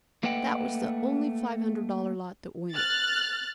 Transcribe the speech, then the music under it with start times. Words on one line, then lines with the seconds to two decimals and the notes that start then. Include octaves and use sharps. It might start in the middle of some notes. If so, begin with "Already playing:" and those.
That was the only five-hundred-dollar lot that went.
0.23 A3 A#3 B4 D#5 F#5 G5
2.75 F6 F#6 A6